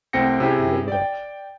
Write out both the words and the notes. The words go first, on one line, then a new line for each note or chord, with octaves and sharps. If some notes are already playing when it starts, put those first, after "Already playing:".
Live It Up!
C2 A3 C4 G5 A#6 C#7
C3 C#4 E4 G4 G#4
D5 G5